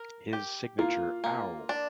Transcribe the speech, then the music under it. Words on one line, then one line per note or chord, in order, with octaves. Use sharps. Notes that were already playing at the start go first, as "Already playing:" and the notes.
His signature ow!
Already playing: A#4
G4
A#3 F4
A#3
D4